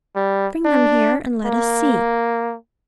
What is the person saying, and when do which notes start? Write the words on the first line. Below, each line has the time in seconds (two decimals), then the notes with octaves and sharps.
Bring them here, and let us see.
0.16 G3
0.65 D4
1.45 A#3